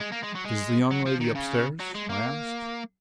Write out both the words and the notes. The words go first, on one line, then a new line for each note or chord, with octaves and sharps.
"Is the young lady upstairs?" I asked.
G#3
A#3
G#3
F#3
G#3
F#3
F3
D#3
C#3
F#3
G#3
A#3